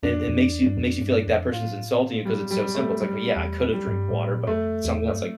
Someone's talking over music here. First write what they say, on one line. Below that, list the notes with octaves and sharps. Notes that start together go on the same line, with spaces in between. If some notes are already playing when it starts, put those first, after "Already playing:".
it it makes you makes you feel like that person's insulting you 'cause it's so simple. It's like, "Yeah, I could have drinked water," but something else like,
F2 D4
F2
E2
G2
F2
G2
F2
A2 F4
G3
G3
A3
G3
E2
G3
A2
G2
A2
A#2
F2 A3
E2
G2